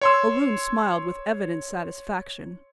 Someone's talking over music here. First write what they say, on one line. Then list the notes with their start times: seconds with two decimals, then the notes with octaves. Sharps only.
O'Roon smiled with evident satisfaction.
0.02 C#5 C6 E6